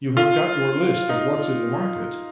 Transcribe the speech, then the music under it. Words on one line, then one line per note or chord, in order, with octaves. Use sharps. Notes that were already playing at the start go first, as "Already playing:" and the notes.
You have got your list of what's in the market?'
F4
D#4